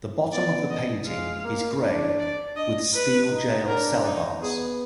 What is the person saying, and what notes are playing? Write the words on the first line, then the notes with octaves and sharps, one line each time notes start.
The bottom of the painting is gray with steel jail cell bars.
B3 D5
D#5
G#3 F5
A#3
D4
D5
D4 D#5
B4
D#4
D4 A#4
D#4
B3 G#4